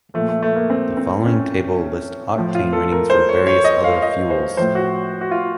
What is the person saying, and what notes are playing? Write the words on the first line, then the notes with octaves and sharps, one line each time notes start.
The following table lists octane ratings for various other fuels.
A#2 F3 A3
A3
A3
A#3
C4
C4
C#4
A2 F3
F4
A4
A#4
C5
C#5
C#5
D#5
F5
D#5
C5
A2 F3 C5
F#4
F#4
F4